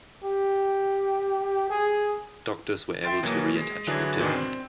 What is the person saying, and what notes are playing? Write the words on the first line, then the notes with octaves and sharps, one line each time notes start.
Doctors were able to reattach the tip.
G4
G#4
E5 G5 C6 A6 D7
B2 E3 F#3 A#3 B3
G#3
D3 E3 F#3 D4 E4 G#4
D2 G#2 B2 D#3 E3 D4
C4